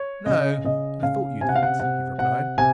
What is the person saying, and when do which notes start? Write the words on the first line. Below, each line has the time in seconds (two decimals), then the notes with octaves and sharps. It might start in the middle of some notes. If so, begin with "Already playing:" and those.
"No, I thought you didn't," he replied.
Already playing: C#5
0.26 C#3 D#5
0.65 C#3 D#5
1.03 C#3 F5
1.41 C3 G#5
1.49 F#5
1.55 F5
1.63 F#5
1.80 C3 F#5
2.18 C3 F#5
2.58 C3 G#5